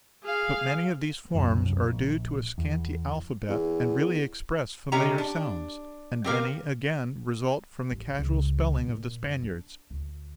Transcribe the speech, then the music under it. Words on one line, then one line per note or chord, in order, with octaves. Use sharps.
But many of these forms are due to a scanty alphabet, and really express familiar sounds; and many, again, result from the casual spelling of the Spaniards.
G#4 F5
F#1 C2 F#2
A#1
E2
E2
C3 G#3 C#4 G4 A#5
D4
C4 G4 A#4 F5
A1
C#2
A#2
F2
D4
D2